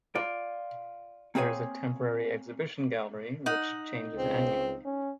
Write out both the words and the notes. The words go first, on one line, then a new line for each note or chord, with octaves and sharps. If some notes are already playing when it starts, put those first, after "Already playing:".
There is a temporary exhibition gallery which changes annually.
F4 D5
A#3 C4 G#4 C#5 G#5
D#4 F#5
C#2 C4
C#4